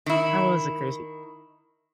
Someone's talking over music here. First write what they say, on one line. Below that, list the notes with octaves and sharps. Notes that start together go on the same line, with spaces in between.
that was it crazy
D#3 E4